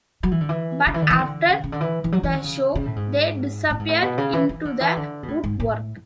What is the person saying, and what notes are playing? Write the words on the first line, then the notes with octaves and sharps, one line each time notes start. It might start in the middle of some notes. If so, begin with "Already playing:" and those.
But after the show, they disappeared into the woodwork.
F#3
E3
D3
E3
D3
E3
D3
E3
D3
C#3
C#3
D3
E3
E3
F#3
E3
D3
C#3
C#3
A2
G#2
A2
G#2
A2
B2
C#3
E3
E3
D3
E3
D3
B2
A2
G#2
A2